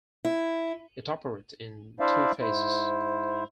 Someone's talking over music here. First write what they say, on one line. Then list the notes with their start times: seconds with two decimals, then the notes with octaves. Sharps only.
It operates in two phases.
0.25 E4
2.00 D4 E4 C5 D5 E5 F5
2.40 G#2 E4 C5